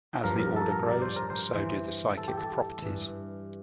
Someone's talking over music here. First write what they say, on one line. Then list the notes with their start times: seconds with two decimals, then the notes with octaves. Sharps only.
As the order grows, so do the psychic properties.
0.24 G2 F3 A#4
0.40 A#4
0.56 A4
0.72 A#4
0.89 D5
1.02 C5
1.16 A#4
1.30 C5
1.53 G2 E3 C5
2.17 A4
2.28 G4
2.38 A4
2.82 G2 E3